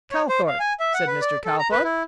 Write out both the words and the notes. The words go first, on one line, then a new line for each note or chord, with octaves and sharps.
"Calthorp," said Mr. Calthorp.
C#5
C5
F5
G#5
E5
F#5
B4
D5
A4
A#5
B4
E4